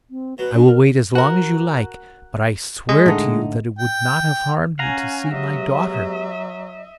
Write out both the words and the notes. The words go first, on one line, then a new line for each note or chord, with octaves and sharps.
I will wait as long as you like, but I swear to you that it would not have harmed me to see my daughter.
C4
B2 F#3 B4
D4
A#4
F#4 A#4 F#6
G#3 D#5
A2 D3 D#4
G5
C#4 F5 F#5 G#5 A#5
F#3 G#3 B3 G4 D#5 E5